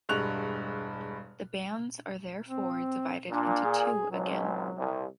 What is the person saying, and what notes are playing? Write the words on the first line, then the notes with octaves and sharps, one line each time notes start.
The bands are therefore divided into two again.
E1 G2 G#3 C#6 F#6 F7
C4
A#2 D4
G#4
G#1 C#2 F#3
C2